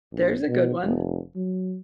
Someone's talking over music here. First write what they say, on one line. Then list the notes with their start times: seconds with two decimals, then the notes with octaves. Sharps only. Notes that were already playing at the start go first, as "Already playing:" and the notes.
There's a good one.
0.13 A#1
0.49 B2
0.82 F1
1.36 F#3